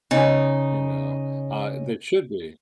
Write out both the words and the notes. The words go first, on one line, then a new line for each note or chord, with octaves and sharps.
You know, uh, that should be.
C#3 D#4